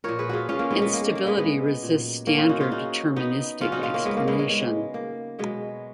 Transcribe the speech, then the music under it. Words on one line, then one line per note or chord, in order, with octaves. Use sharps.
Instability resists standard deterministic explanation.
A#2 F3 A#4 C#5
G#4 B4
F4 F#4 G#4
C#4 F4
A#3
G#3 B3
G#3 B3
A#3
A#3
A#3
G#3 B3
G#3 B3
A#2 F#3
A#3 C#4
C#4 F4
D#4 F#4
F4 G#4
D#4 F#4
B3 D#4
C#3 F#3 C#4 F4
D#4 F#4
C#4 F4
A#3 C#4
G#3 B3
A#3
G#3 B3
G#3
G#3
A#3
B2 F#3 G#3 B3